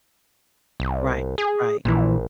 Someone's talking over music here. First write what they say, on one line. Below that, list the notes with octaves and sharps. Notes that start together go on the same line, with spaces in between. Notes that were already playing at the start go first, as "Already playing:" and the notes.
Right, right.
C2
G#4
A#1 A#2 E3